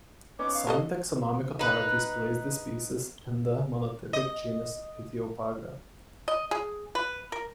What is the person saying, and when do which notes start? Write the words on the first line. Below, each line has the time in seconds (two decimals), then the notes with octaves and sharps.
Some taxonomic authorities place this species in the monotypic genus Ichthyophaga.
0.39 B3 C#4 D#4 D6
0.54 F5
0.67 G4 A4 D#5
1.59 D#4 B4
4.13 D#5
6.28 D#5
6.51 G#4
6.95 B4
7.32 A#4